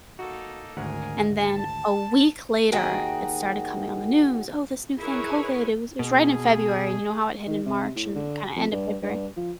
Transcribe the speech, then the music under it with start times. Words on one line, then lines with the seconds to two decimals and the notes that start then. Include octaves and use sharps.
and then a week later, it started coming on the news, "Oh, this new thing, COVID," it was it was right in February, and you know how it hit in March and kinda end of February.
0.19 A#3 D#4 F#4 A4
0.77 G#1 D2 G#4 A#4 F#5 G#5
1.45 A5
2.72 D#2 D#3 F#4 G#4 G5
4.98 E4 G#4 A#4 B4 C#5
5.99 B2 G#4
7.47 D#3
7.66 C3
7.95 A2
8.15 D3
8.56 F2
8.72 G2
9.03 G2
9.37 F3